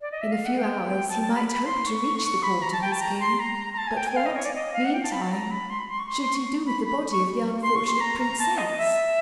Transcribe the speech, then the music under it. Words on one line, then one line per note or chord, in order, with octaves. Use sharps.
In a few hours he might hope to reach the court of his king; but what, meantime, should he do with the body of the unfortunate princess?
D5
D#5
E5
F5
F#5
G5
A5
A5
B5
B5
C6
C#6
C#6
B5
A#5
A5
G5
A5
A#5
C6
A#5
A#5
A5
G#5
G5
G#5
F5
D#5
C#5
D5
D#5
F5
F#5
G5
A5
B5
A5
A#5
B5
C6
B5
C6
C#6
C6
C6
C#6
B5
B5
C#6
C6
C#6
C6
A#5
A#5
A5
D#5
E5